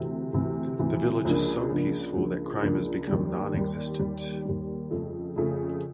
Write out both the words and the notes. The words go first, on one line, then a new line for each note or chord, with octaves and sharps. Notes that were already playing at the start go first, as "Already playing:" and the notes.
The village is so peaceful that crime has become nonexistent.
Already playing: D2 C3 E3
D2 C3 E3
D2 C3 E3
C#2 C#3 F3 A#3 D4
C#2 C#3 F3 A#3 D4
C#2 C#3 F3 A#3 D4
C#2 C#3 F3 A#3 D4
D#2 D#3 G3
D#2 D#3 G3
D#2 D#3 G3
D#2 D#3 G3
F2 C#3 F3 A3
F2 C#3 F3 A3